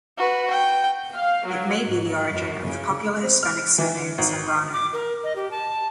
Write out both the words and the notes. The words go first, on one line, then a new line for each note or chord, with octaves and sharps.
It may be the origin of the popular Hispanic surname Zambrano.
F#4 B4
G5
F5
F#3
G#2
F#2
C#3
C4
F6
E3
G#1
D6
A#4
D#5
G4
A5